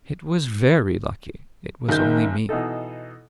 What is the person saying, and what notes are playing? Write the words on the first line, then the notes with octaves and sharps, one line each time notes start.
It was very lucky it was only me.'
F#1 D#3 G6
B2 E3 D#4 A4